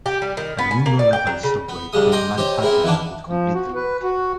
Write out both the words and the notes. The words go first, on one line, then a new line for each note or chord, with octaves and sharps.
A new low-level subway through Manhattan would complete the loop.
G4
G3
D#3
B3
G#5
A#3
D5
G5
F#3
C#3
B3
C#2 G2 G3 G#3 D#6
D#5 G5 G#5 A#5 C6 D6
G4 C5 C#5 D#5
B3 C4 E4 G#4 A#4
D#3 E3 A#3 B3 D4
F3
F#4
B4
F#4